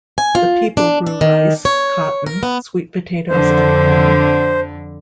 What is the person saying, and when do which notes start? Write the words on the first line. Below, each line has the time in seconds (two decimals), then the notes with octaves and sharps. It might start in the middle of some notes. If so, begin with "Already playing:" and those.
The people grew rice, cotton, sweet potatoes and corn.
0.18 G#5
0.35 F4
0.77 D4
1.06 D4
1.21 D#3
1.65 C#5
2.26 A#4
2.43 B3
3.29 F2 D3 C5